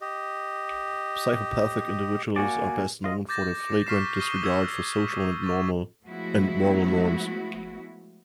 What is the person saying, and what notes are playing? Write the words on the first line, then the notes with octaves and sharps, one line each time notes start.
Psychopathic individuals are best known for their flagrant disregard for social and moral norms.
G4 D#5
A#3 F#4 D5 G#5
F4 D#5
D6 G6 A6 A#6
C#6 F6 B6 C7 E7
C#6 D#6 F6 D#7 G7
E6 G#6 B6
B6
C#6 A6
F3 G#3 A3 B3 E4 F#4